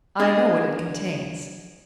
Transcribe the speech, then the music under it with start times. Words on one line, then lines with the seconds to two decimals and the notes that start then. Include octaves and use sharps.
I know what it contains.
0.19 D4 G#4 D#5